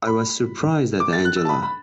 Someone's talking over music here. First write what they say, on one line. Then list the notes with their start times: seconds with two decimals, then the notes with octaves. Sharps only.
I was surprised at Angela.
0.07 B5
1.00 D6
1.13 A6
1.25 F#6
1.37 E6
1.45 A5
1.49 B5
1.62 B5